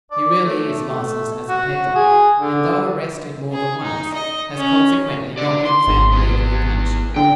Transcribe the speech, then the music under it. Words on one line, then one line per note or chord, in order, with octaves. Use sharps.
He really is licensed as a peddler, and though arrested more than once, has consequently not been found legally punishable.
D5
A3
A3
F#4
G#4
D3
G#4
D#4
D#5
C#4
D3 D5
C6
G#1
B3 E4
D3 G5